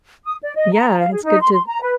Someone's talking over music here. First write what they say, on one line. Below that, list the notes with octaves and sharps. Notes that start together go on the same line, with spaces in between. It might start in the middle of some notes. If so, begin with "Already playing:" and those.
Yeah, it's good to
D#6
D5
D#5
A#5
F5
G#4
D#4
C6
C6
A#5
B4